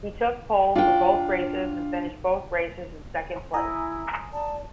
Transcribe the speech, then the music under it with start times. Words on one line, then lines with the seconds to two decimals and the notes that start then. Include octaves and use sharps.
He took pole for both races and finished both races in second place.
0.76 D4 F4 G5
3.54 E4 G#5 A#5 D#6
4.33 D5 A5